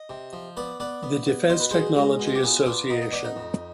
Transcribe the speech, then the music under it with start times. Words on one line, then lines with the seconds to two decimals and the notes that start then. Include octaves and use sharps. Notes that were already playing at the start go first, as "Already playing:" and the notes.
The defence technology association.
Already playing: D#5
0.09 C3
0.33 F3
0.57 B3 B4 D5
0.80 B3 B4 D5
1.03 B3
1.26 B3
1.49 B2 C5
1.60 B4
1.71 B2 G#4 C5
1.96 G#3
2.19 B2
2.27 F4
2.35 G4
2.43 B3 F4 G#4
2.66 B3 D4 F4
2.90 B2 D#4
3.01 D#4
3.13 B3 D4
3.25 D#4
3.36 F2